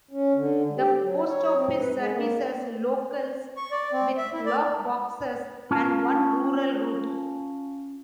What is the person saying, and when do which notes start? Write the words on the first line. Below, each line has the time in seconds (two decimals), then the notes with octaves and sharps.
The post office services locals with lock boxes and one rural route.
0.11 C#4
0.35 D3
0.77 G4
1.01 F#3
1.27 C#5
1.55 C4
1.79 B4
1.95 G#3
2.12 A#3
3.57 C#6
3.71 D5
3.93 C4
4.17 E5
4.33 E4
4.46 D5
5.71 C#4 F4 A5